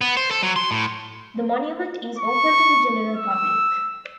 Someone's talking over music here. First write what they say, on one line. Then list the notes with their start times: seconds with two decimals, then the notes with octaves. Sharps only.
The monument is open to the general public.
0.01 B3
0.17 C5
0.31 A4
0.43 F#3
0.56 C6
0.71 A2
2.19 C#6
3.16 E6